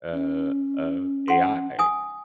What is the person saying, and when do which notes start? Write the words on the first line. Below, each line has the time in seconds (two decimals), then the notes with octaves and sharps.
uh, of AI.
0.13 C#4
1.28 F#5 C6
1.79 G#5 D#6